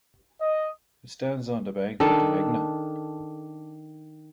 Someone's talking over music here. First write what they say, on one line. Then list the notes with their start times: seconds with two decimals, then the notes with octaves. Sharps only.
It stands on the bank of the Meghna.
0.41 D#5
2.00 D#3 D4 A4